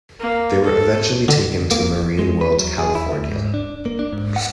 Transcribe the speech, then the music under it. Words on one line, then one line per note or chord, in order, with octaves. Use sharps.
They were eventually taken to Marine World California.
A#3
A4
D3
A#3
G#3
B4
F#3
G#4
E4
D2
G#2
D4
A#3
D4
G#2
F#5